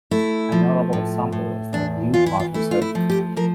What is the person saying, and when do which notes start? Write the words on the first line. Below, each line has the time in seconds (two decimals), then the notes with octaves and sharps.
A notable example is the Gluepot Reserve.
0.11 A3 E4
0.52 F3
0.93 A2
1.32 A2
1.73 E2 D4
2.14 E3 F4
2.26 E4
2.40 F4
2.54 A3 E4
2.71 F4
2.82 E4
2.95 F3
3.10 G4
3.36 F3 A#4